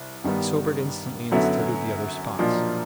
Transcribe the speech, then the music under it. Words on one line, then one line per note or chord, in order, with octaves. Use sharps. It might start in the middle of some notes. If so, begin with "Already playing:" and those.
He sobered instantly and studied the other spots.
Already playing: C2
G2 D#3 G3 B3
F#2 D3 F#3 B3 E4
B1 A#2 F3 A#3 D4